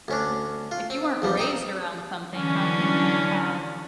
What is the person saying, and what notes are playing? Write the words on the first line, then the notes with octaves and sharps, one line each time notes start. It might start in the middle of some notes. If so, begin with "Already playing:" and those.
Exactly. If you weren't raised around something, how can you have
D2 C#4 D4
F4
C4
E2 F3 G3
C4 D#4 G5
D3 E3 F#3 C#4 D4